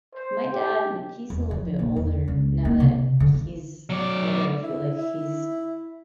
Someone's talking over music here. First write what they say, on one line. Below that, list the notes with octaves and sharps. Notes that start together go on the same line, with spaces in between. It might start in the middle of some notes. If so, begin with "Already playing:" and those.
my dad, n he's a little bit older. Now that he's older, I feel like he's
C5
G4
E2
F3
A#1
E2
C#2
A#3
C3
D3
D#3
F#3 D5
E4
E4